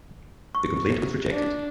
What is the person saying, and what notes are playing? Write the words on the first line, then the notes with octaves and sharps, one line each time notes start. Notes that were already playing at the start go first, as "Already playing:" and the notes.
The complaint was rejected.
C#6
D4